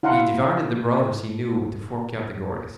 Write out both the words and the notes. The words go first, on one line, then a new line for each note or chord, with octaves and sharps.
He divided the Brothers he knew into four categories.
E4 F5 F#5 A#5 C6